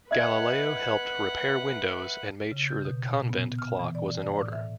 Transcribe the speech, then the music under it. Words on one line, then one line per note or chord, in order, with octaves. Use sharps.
Galileo helped repair windows and made sure the convent clock was in order.
B4 D#5 E5 F#5 G#6
C#3
G6
B2
A#2
B3
F6
E3
D5
D5
A2
E5